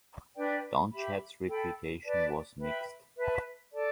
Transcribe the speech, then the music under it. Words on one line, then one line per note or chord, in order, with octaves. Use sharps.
Donnchad's reputation was mixed.
D4 B4 D5 G5
G4 E5 B5
A4 G5 B5
B4 D5 A5
B4 E5 G5 B5
B4 E5 A5
A4 D5 A5